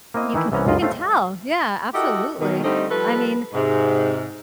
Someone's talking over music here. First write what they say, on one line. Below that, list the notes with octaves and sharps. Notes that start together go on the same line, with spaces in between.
you can you can tell. Yeah. Absolutely. I mean
A#3 C4 E4 D#5
D#3 E3 D#4 E4
C2 E3 B3 C#4 A#5
C#2 F#2 F4 D#5
A3 C4 F4 F5
E4 F#4 G4 A4 A#4 D#5
B2 D#3
D3 G3 A3 C4 D#4
F3 G3 A4 B4
G#2 C3